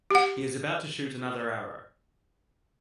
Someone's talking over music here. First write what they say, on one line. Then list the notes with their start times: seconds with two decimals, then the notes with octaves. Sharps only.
He is about to shoot another arrow.
0.11 G4 F#5